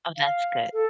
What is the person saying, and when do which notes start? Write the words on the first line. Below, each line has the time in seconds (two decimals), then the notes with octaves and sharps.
Oh, that's good.
0.17 F5
0.73 A4